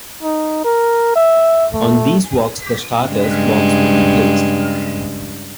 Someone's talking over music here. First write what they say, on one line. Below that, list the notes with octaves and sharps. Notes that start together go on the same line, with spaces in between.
On these walks the starter's box will be placed.
D#4
A#4
E5
A3
G2 C#3 G#3